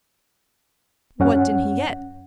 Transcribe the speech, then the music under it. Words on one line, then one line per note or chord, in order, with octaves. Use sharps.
"What did he get?"
F#2 C#4 F#5